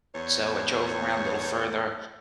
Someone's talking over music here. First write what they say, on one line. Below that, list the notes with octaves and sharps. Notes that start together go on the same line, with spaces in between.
So, I drove around a little further,
E2 C#5